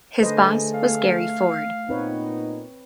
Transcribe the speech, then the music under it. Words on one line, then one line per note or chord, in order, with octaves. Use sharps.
His boss was Gary Ford.
D3 A3 G#4 A4 B4 C5 D#5
F5
A#2 B3 C4 D#4 B4 C#5